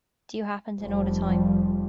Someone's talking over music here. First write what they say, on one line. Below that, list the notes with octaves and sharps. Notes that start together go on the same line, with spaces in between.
Do you happen to know the time?
F1 F2 F3 G3